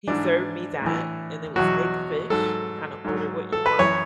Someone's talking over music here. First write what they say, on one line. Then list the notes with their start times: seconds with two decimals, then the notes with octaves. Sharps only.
he served me that, and it was baked fish you kinda order what you want,
0.07 G#2 E3 D4
0.82 A2 E3
1.56 E2 B2 F#3 F#4
2.30 G#2 F#3 A4
3.05 G#2 F#3
3.52 A4
3.66 B4
3.78 F#2 E3 C#5